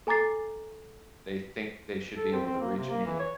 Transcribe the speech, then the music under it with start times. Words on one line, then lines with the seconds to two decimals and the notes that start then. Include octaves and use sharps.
they think they should be able to reach me
0.07 A4 G#5 A#5 D6 A6 C7
2.17 A4
2.32 C4
2.46 C4
2.61 A#3
2.76 C3
2.90 A#3
3.06 E3
3.19 C#5